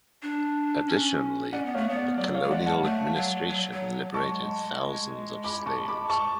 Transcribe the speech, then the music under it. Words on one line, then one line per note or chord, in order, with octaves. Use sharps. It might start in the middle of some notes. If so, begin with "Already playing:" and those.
Additionally, the colonial administration liberated thousands of slaves.
D4
C#4
C#4 D5 F#5
B3
A3 C#5 F5
B3
D5
F#3 D5
C#5 F5
F#3
G#3 D5 F#5
F#5 A5
A3
F#3
F#3
F#3
G#3 A5 C#6
B5 D6
A5 C#6
B5 D6
A5 C#6